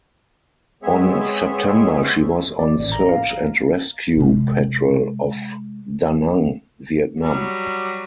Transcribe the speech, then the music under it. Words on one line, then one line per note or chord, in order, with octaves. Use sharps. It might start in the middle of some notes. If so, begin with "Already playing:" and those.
On September she was on search and rescue patrol off Da Nang, Vietnam.
G#3 B3 C4 G#4 C#5 E5
D5
A1
A#5
F5
C3 G#3
F#3 G3